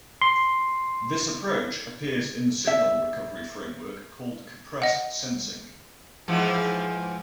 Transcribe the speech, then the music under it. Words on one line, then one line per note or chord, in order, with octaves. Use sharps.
This approach appears in the signal recovery framework called compressed sensing.
C6
E5
D#5 F#5
G#2 E3 F3